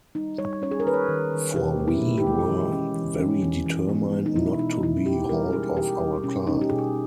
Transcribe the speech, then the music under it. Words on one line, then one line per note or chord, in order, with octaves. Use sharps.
For we were very determined not to be hauled off our climb.
G3 D#4
G3 C#5
C#4 C#5
G#4
A#4
D#3 B4
C#5
D#3
D#3
B2 G4
G#3
E4
B2
G4
G#3
E3
C#4
E3
C#4
E3
E3
B3
G#3
D#4
B2 E4
B2 D#4
B2 E4
B2 G4
G3 A#4
C#4 G#4
B2 G4
G3
B2 C#4
C#4 D#4
G4
B2 G#4